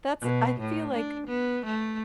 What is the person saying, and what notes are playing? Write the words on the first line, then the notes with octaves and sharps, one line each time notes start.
that's I feel like
B2
A2
D4
B3
A3